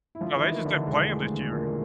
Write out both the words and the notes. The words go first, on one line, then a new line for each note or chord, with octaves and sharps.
No, they just didn't play him this year.
E4
D3 F3 F4
E3 E4
D2
D#3 D#4
D3 F3 D4
E1 G#3
D3 A3
D2
A#2 F3 A#3